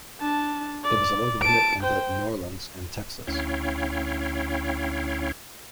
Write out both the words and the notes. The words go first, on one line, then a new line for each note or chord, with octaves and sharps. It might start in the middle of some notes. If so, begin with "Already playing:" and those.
It was a local hit in the New Orleans and Texas.
D4 A5
D5
A5 D7
C5 G5
D2 C#4 E4 C#5 F5 G5